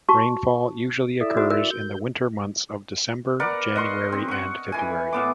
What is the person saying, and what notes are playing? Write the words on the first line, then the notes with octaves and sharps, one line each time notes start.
Rainfall usually occurs in the winter months of December, January and February.
F#4 A5 C#6
E4 A4 D5 E5
F#4
A#4
G6
A#4 B4 D5 F#5
D#5 F#5 C6 C#6
C4
F#5 C#6
E3 G#5
A2 B3 D6